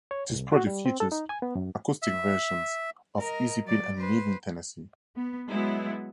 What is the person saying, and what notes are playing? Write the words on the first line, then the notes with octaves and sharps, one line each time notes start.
This project features acoustic versions of "Easy Pill" and "Leaving Tennessee".
C#5
C2
F#4
G3
C4
A4
D#4
G#5
B3
F#2
E5
A#4 D#5
F#3 D5
B4 C5
B3
F#3 G#3 B3 E4